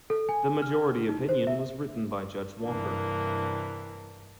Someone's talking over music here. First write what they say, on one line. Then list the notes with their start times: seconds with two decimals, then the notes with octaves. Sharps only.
The majority opinion was written by Judge Walker.
0.10 A4
0.29 G#5
0.62 F6
1.09 D#4
1.29 C5
1.47 E5
2.61 G2 C3 E3 A#3 D4